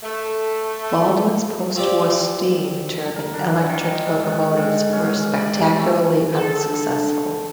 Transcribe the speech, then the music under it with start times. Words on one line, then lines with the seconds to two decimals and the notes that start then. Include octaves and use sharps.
Baldwin's postwar steam turbine-electric locomotives were spectacularly unsuccessful.
0.03 A3
1.76 F3 C4 F4 G4 D5
3.16 A#4
3.34 D4
3.69 D#3
4.06 G#2
4.30 F#5
4.56 G#2
4.92 C#4
5.37 D5
5.56 C3
5.77 A3
6.33 G#4 A4
6.67 D4